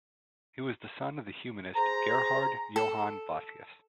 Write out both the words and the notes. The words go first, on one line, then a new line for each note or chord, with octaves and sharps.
He was the son of the humanist Gerhard Johann Vossius.
G#4 C5 A#5
A4